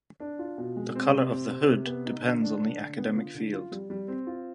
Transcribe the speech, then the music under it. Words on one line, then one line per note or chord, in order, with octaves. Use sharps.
The color of the hood depends on the academic field.
D4
F4
B2
G#3
C4
C3
C4
C3
C3
B3
D#4
D3
D4
D3
D3
B3
F4
D3
F4
G3
G3
C4
F4